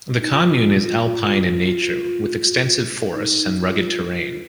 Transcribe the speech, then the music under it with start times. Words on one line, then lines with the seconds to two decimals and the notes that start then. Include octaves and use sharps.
The commune is alpine in nature with extensive forests and rugged terrain.
0.21 D#4
0.32 F4
3.14 D#4
3.61 F4
4.07 F4